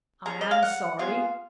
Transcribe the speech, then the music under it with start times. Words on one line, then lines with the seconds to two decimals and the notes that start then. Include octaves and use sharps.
I am sorry.
0.26 C#4 G#4 A#5
0.41 D#5
0.51 F5
0.63 F#5
0.99 B3 F4 G#4 F5